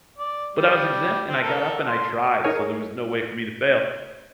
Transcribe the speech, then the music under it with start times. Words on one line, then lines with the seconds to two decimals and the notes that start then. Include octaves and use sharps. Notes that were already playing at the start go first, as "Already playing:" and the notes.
but I was exempt, and I got up and I tried, so, there was no way for me to fail.
0.18 D5
0.56 G3
1.29 C4
1.42 A4 A#4
1.88 C6
2.44 D#4 G#4 A#4 C#5 G#5